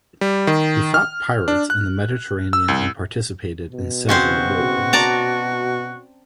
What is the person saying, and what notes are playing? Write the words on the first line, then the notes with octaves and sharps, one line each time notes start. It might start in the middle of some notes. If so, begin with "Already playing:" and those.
He fought pirates in the Mediterranean and participated in several wars.
G3
D#3
F6
D4
F#6
E6
C2
B2
C#3 C4 F#4 C5
D5 A5 A#5